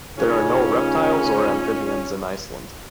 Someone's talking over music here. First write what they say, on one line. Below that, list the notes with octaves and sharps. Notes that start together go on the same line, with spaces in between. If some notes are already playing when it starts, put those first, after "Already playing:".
There are no reptiles or amphibians in Iceland.
C#3 A3 C#4 D#4 F4